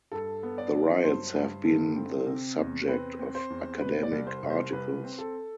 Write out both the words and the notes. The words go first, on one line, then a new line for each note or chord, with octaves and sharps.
The riots have been the subject of academic articles.
G2 A4
B3
D5
F#3
G2 C5
G2
D3
C4
C3
E2
C4 B4
C4
C5
E2
B2 B4
D5
C2
C5
C2
C5
C2 B4
C4
A4